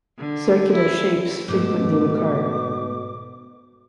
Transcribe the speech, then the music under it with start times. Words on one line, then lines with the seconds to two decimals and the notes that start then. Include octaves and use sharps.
Circular shapes frequently recur.
0.18 D3
0.74 E4
1.48 G#2 B2 A3 D6